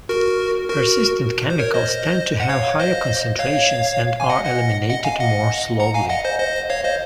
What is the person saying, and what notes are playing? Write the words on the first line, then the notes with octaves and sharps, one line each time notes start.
Persistent chemicals tend to have higher concentrations and are eliminated more slowly.
F#4 A#4
F#4 A#4
C5
A#4 C#5
C5 D#5
F#5
C#5 F5
C5 D#5
C#5 F5
G#5
D#5 F#5
D#5 F#5
D#5 F#5
F5 G#5
D#5 F#5
F#5 A#5
F5 G#5
D#5 F#5
C5 D#5
C5 D#5
C#5 F5
C5 D#5